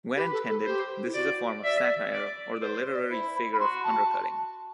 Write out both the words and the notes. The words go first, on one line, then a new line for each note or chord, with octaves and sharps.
When intended, this is a form of satire or the literary figure of undercutting.
G4 B4
A4
A4
G4 C5
E4
F#4 D5
D5 E5
D5
B4 C5
C5
D5
E4 C5
B5
B5
F#4 C6
A5